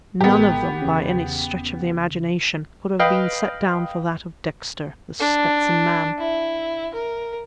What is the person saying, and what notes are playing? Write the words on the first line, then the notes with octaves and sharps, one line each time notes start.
None of them, by any stretch of the imagination, could have been set down for that of Dexter, The Stetson Man.
A1 G#3 B3 G4 A#4
E2 C#3
B4 D#5 F5 G5 B5
D4
E4
A#4